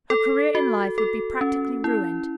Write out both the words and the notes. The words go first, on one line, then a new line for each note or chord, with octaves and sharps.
Her career in life would be practically ruined.
A4
F#4
A4
C#4
E4